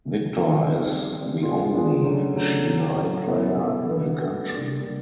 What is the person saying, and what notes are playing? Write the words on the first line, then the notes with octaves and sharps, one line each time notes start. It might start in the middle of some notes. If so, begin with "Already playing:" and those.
Victor is the only Shehnai player in the country.
F3 A#3 D#4
F3 A#3 D#4
D#3 G3 C4
D#3 G3 C4
B3 D4 F4 G#4
B3 D4 F4 G#4
C#3 F#3 A3 D4
C#3 F#3 A3 D4
A2 F#3 A3
A2 F#3 A3
B2 G3 B3 E4 A4
B2 G3 B3 E4 A4
A3 D4 F#4 B4
A3 D4 F#4 B4
G3 A#3 D4
G3 A#3 D4